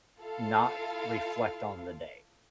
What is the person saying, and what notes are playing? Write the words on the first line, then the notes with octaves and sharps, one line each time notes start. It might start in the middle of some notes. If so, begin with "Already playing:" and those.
not reflect on the day,
E4 F4 A4 F5